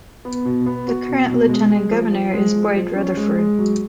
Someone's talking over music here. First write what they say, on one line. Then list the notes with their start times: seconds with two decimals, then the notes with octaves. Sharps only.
The current Lieutenant Governor is Boyd Rutherford.
0.25 B3
0.45 B2
0.66 B3
0.88 F#4
1.08 B2
1.29 B2
1.49 G#3
1.70 G#3
1.91 F3
2.13 F3
2.34 G#3
2.54 F3
2.76 F3
2.96 C#4
3.17 G#3
3.39 G#3
3.59 F#3